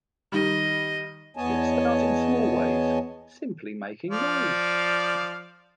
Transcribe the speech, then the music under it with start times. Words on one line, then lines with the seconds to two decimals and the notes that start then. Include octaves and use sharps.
It starts in small ways, simply making noise.
0.32 D#3 G3 D#5
1.37 E2 B3 C#5 D#5 G#5 A5
4.11 F3 D5 F5